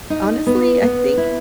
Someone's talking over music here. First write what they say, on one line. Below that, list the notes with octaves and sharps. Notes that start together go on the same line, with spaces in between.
honestly, I think
D#4
B3
B3
E4